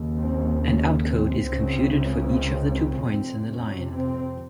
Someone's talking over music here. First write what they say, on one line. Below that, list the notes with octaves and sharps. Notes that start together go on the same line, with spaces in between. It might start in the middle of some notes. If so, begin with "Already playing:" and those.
An outcode is computed for each of the two points in the line.
Already playing: D#2 C#3
C4
C#4
C4
C#2 C#3 C4
C4
C4
F2 C3 C4
C#4
C4